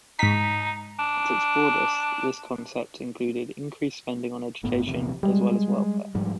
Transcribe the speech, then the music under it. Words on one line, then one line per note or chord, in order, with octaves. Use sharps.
At its broadest this concept included increased spending on education as well as welfare.
G#2 D#4 B6
D4
G1 A2 B3
A#1 E2 C3
G3 G#3
G#2 F3 G3